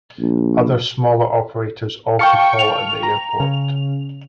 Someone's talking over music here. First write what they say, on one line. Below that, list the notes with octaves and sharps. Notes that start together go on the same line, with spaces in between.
Other smaller operators also call at the airport.
A#1
F5 G5 A5 C#6 C#7
F7
A#5
C#3